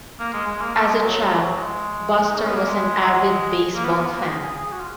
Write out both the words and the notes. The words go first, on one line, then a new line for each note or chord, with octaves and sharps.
As a child Buster was an avid baseball fan.
A#3
G#3
G#3
A#3
A#3
G#3
F#3
G#3
D#4
C#4
B3
A#3
G#3
A#3
B3
A#3
B3
A#3
G#4
G#4
G#4
F#4
F4